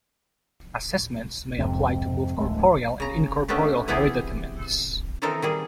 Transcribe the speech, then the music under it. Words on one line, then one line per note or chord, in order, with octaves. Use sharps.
Assessments may apply to both corporeal and incorporeal hereditaments.
F2 G#2 C3
D1 A#1 G#3 A3
C#3 A#5
A3 B3 C#4 D4 G4
C3 E3 B3 E4 G4 G#4
D#3 E3 C4 D#4 A4 A#4
D#3 G3 G#4